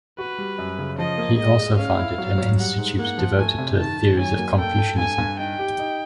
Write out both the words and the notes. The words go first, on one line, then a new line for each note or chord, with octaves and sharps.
He also founded an institute devoted to the theories of Confucianism.
F#4 B4
G3
F#2
C#3
F3 D#5
A#3
G#3 D#5
G#3
C#4 F5
E4
F#3
F#3
G3 F#5
G#2
A#3 F#5
F3
A3 G#5
C3
D#3 A5
D#3
F#3 G#5
A#3
A4 G5
A4
G2 G#5
G2
D#4 G5
G4
D#4